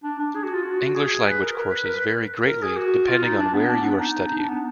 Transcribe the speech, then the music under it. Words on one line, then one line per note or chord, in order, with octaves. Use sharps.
English language courses vary greatly, depending on where you are studying.
D4
D4
G#4
F#4
F4
F#4
G#4
B4
A#4
A#4
B4
A#4
B4
A#4
G#4
F#4
F4
D#4
D4
B3
D4
B3
D#4
D#4
D4
B3